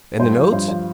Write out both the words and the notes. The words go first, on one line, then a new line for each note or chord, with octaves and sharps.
"And the notes?"
G2 C5
F3
G2 C5
F3 C5